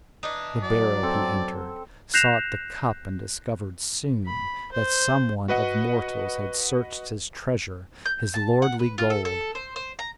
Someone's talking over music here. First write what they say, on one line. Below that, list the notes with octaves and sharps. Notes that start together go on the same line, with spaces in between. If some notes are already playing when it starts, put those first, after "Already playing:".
The barrow he entered, sought the cup, and discovered soon that some one of mortals had searched his treasure, his lordly gold.
E3 D4 D#4
F#3 D5
C4 A4
F#6 G6 A#6 C7 E7 F7
B5
C5
F#4 B4 D#5 F#5
G6
A5
F#5
B4
F4
A4
A4
C5
C5
A#5